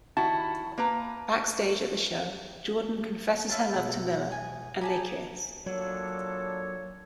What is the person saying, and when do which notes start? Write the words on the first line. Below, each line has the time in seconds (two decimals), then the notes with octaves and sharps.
Backstage at the show, Jordan confesses her love to Miller and they kiss.
0.17 D#3 E4 F#4 A5
0.78 A#3 B4 A#5
3.49 E4 F4 C#5 A5
3.73 B2 G#3 F#5
4.32 G#5
4.81 G4 G#4 A5 A#5
5.66 A#2 F#3 D4 A4 C#5